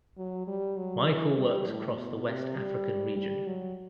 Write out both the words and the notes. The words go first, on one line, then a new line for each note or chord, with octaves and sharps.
Michael works across the West African region.
F#3
G3
F#3
E3
G3
A2
B2
C3
G3
G3
F#3